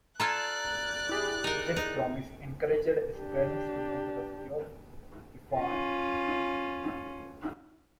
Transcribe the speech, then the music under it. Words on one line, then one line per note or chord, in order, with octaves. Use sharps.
This promise encouraged his parents to move to the city of Isfahan.
F4 A4 D5 A5 A#5 F6 F#6 G#6
E4 G4 G#4
D#4 A#4
D#4
D4 G4
C#4 F4